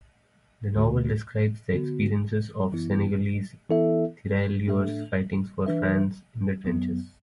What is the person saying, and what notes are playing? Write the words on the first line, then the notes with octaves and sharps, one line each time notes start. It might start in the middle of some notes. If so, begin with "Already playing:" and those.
The novel describes the experiences of Senegalese Tirailleurs fighting for France in the trenches.
D2 D3 A3 F#4
D3 B3 F#4
F#2 E3 B3 E4
E3 B3 E4 A4 E5
A2 A3 D4 A4 E5
E3 D4 B4 E5
F#2 F#3 B3